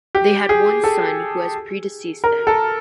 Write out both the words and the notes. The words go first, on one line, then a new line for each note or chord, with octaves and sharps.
They had one son, who has predeceased them.
G4
G#4
A4
A#4
A4